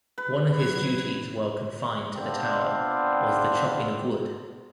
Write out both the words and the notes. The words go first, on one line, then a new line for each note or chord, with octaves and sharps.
One of his duties while confined to the tower was the chopping of wood.
B4
F#3 G#6
B3 C4 D4 F4 D5 G5